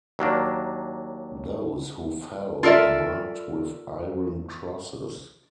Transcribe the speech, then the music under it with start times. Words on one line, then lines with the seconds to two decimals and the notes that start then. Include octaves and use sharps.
Those who fell are marked with iron crosses.
0.19 D#2 F#3 A#3 D4
2.63 F4 A4 A#4 D5 E5